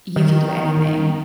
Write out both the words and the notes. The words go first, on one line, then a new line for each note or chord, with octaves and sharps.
You can do anything,
D#3